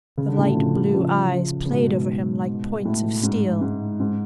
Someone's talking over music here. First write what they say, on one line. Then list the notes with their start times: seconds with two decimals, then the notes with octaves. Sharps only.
The light-blue eyes played over him like points of steel.
0.17 C#3
0.28 D3
0.38 A2 C#3
0.48 D3
0.56 C#3 F3
0.94 C#3 F3
1.65 C#3
1.71 G#2 B2
2.85 A2
3.23 G#2
3.61 G#2
4.00 G#2